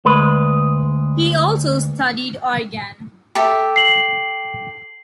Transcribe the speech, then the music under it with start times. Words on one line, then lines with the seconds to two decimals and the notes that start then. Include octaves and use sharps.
He also studied organ.
0.05 D2 G#3 B4
3.35 G4 A4 E5
3.76 C7 F#7